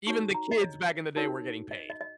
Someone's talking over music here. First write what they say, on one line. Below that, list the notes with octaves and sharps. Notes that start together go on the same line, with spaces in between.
even the kids back in the day were getting paid.
D#4 F#4 C#5 C#6
A#5
D#5
C#5
D#4 F#4 A#4 C#5
D#5
D#5
D#5